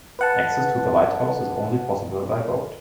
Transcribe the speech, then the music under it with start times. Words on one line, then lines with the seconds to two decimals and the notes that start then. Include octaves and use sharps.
Access to the lighthouse is only possible by boat.
0.19 B4 F#5 A5